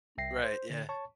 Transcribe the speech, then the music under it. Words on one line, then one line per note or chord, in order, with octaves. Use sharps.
Right. Yeah.
C2 E5 G5 A#6 C7
C5
D3
C#5 A5 C#6